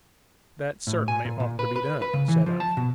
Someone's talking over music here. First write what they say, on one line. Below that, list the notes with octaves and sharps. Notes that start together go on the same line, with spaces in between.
"That certainly ought to be done," said I.
A2
G#5
A#2
A#2
B4
B4
B4
C#3
E3
F3
A5
B2